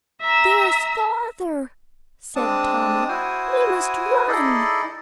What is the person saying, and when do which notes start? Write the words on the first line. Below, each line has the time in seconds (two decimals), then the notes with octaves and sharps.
"There's father," said Tommy; "we must run."
0.21 E5 A#5 E6
2.36 G#3 C4 D4 A5 D#6
3.09 E4 F#4 C5 G#5 D#6
4.28 D#4 E4 G#4 A4 D5 D#5